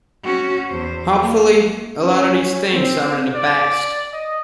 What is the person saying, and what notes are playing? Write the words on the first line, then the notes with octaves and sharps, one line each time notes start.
Hopefully, a lot of these things are in the past.
C#4 F#4
E2 C5
A#3
C#4
C4
D5
D#5